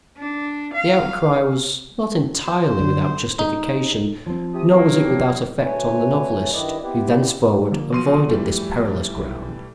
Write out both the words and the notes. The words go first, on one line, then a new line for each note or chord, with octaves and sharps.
The outcry was not entirely without justification, nor was it without effect on the novelist, who thenceforward avoided this perilous ground.
D4
F5
C5
D3
D#4
F3 C4
C3 D#6
G2 F#3 A#3
D2 A3 B4 C#5 G#5
G2 D#3 E4 B4 D5 D#5
B3 C4 E4 G4 B4
D3 F3 A#3
B2 F3 F#3 C6 D#7
E3 G3 A3
B1